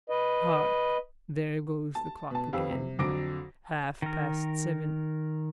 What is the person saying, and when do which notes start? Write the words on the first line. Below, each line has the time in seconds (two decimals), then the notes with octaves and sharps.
Hark! there goes the clock again--half-past seven.
0.10 B4 D#5
1.95 A5
2.31 B2 A5
2.53 F2 G4 B4 F5 E6
2.71 C3
2.99 F2 D3 F#3 D6 A#6 D7
4.02 D#3 A#4